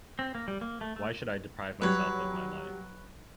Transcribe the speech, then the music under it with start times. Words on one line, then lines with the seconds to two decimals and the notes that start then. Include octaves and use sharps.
Why should I deprive myself of my life?
0.19 C4
0.35 A#3
0.48 G3
0.61 A#3
0.81 A3
0.96 A3
1.82 F#3 G3 B4 C#5